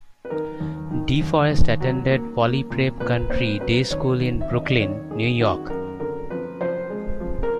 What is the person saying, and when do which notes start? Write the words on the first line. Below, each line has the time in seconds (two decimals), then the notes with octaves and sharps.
DeForest attended Poly Prep Country Day School in Brooklyn, New York.
0.25 B4
0.30 D#3 A#4
0.60 D#2
0.91 D#3
1.21 D#2
1.51 D#2
1.80 F#3
2.10 A#3
2.41 A#3
2.70 A#2
3.00 A#2 B4
3.30 A#3 C5
3.60 F#3 B4
3.91 D#2 C#5
4.20 D#3
4.41 E5
4.50 D#2 D#5
4.67 D5
4.80 D#3 C#5
5.11 D#3 G#4
5.40 D#3 F#4
5.70 F#2 A#4
6.00 D3 A#4
6.30 F3 B4
6.60 F3 C5
6.90 G#3
7.20 F3
7.43 A#4